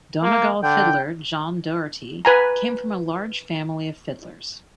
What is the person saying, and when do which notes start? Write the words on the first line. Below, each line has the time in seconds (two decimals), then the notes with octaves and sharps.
Donegal fiddler John Doherty came from a large family of fiddlers.
0.23 A#3
0.63 D3 G5
2.25 B4 G#5 A#5